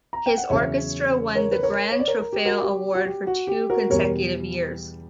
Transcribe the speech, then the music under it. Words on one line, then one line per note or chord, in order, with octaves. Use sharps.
His orchestra won the "Gran Trofeo Award" for two consecutive years.
A#5
G5
F#5
E2 C#3 F#3 C#4 C#5 E5
A#4 C#5
B4
A#4 C#5
C#5
D5
A#4 C#5
A#4
G4
F#4 A#4
G4
F#4
G4
F#4
G4
F#4 A#4
E2 B2 G3 A#4 C#5